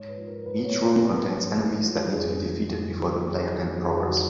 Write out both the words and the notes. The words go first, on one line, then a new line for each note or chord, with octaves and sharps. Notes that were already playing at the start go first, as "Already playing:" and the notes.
Each room contains enemies that need to be defeated before the player can progress.
Already playing: G#2 C#5
B4
F3
A#4
G#2 B4
C#5
F3
B4
G#2 A#4
F3
G#2
F3
F2 G#4
D#3 F#3
F2
D#3 F#3
F2
D#3 F#3
F2 G#4
F#4
D#3 F#3